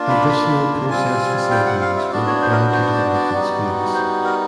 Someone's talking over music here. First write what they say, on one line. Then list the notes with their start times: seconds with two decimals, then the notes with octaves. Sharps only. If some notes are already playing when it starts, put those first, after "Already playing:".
Additional process facilities were required to develop these fields.
Already playing: A#3 D4 F4
0.09 B5
0.29 B5
0.90 G3 C4 F4 G#5
1.51 G5
1.66 F#5
1.81 F5
1.97 E5
2.12 B3 D4 F#4 D5
2.27 C#5
2.42 C5
2.51 A#4
2.57 B4
2.72 C5
2.93 D5
3.13 D5
3.33 G3 B3 D#4 F#4
3.94 C5
4.24 A#4